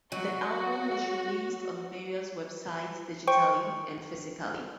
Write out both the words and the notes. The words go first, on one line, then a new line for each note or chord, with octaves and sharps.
The album was released on various websites digitally and physically.
F#3 F#4
C5 G5 C#6